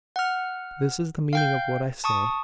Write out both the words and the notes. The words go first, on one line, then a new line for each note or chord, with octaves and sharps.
This is the meaning of what I say.
F#5 F6
F5 G5 G6
A5 C#6 D#6